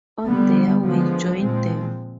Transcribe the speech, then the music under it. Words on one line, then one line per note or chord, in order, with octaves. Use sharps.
On their way, joined them.
D3 G3 B3
D3 F3 G#3 B3
A#2 F3 G#3 C4